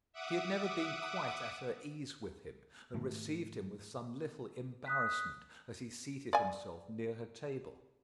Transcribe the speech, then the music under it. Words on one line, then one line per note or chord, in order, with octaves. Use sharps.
She had never been quite at her ease with him, and received him with some little embarrassment as he seated himself near her table.
E5 F#5 D6 D#6
G#2 D#3 A3
D#6 F#6 B6
D5 G#5